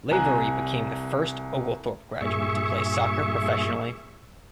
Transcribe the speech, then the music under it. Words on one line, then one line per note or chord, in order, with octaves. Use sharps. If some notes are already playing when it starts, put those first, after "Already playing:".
Lavery became the first Oglethorpe graduate to play soccer professionally.
C2 G#5 A#5 F#6
G2 A#2 G#4 E5 C#6